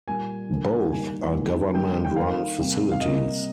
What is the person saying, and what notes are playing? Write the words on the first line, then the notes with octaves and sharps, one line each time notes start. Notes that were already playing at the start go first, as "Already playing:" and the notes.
Both are government run facilities.
A#2 G3 A#3 G#5
D3 F3 A#3
D#3 G3 A#3 G#5
D#3 G3 A#3
D3 G3 A#3 G5
G5
D#3 A#3 F5
C3 G3 A#3
F5
C3 G3 A#3 D#5